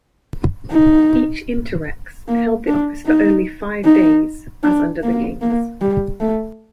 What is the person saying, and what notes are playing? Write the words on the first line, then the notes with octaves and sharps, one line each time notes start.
Each "interrex" held the office for only five days, as under the kings.
D#4
A#3
D4
D#4
D#4
D4
A#3
A#3
G3
A3